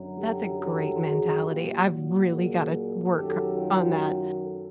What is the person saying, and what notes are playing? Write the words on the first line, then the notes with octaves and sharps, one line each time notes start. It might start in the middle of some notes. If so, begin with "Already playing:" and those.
That's a great mentality, I've really gotta work on that.
Already playing: F#2 D3 F#3
G4 A4
G4 A4
F#4 G#4
A#2 F#3 F4 G4
G#4 A#4
F#2 D#3 F#3 G4 A4
F4 G4
A4